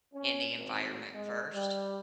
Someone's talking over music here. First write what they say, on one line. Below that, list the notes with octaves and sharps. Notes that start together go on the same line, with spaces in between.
in the environment first
C#4
G#1
G#3
G3